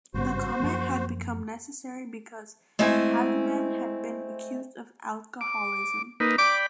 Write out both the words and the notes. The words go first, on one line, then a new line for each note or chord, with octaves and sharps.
The comment had become necessary because Havemann had been accused of alcoholism.
G#1 G2 C#3 F#4 C5
F#2 F3 A#3
G#3 A3 C4 E4 G#5
D6
A#3 D#4 B4
D5 G5 B5 D6